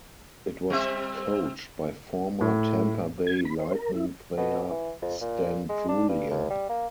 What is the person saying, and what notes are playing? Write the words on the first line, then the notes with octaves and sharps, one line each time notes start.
It was coached by former Tampa Bay Lightning player Stan Drulia.
G3 C4 E5
A2
G#6
B5
C5
A#4
E4
B2
E3
F2
A#2
G#3
D4
G2
D#2
G3
A#3